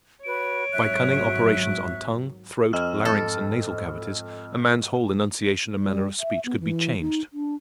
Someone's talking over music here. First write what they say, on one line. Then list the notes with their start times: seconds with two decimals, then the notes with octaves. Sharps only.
By cunning operations on tongue, throat, larynx, and nasal cavities a man's whole enunciation and manner of speech could be changed.
0.24 F#4 B4 C#5 D7
0.72 G#1 F#3 E5 C#6 F#6
2.73 F2 D#5 E6 F6
3.05 G#2 A4
5.73 G3
6.19 E5
6.45 B3
6.60 E3
7.01 D#4
7.33 D4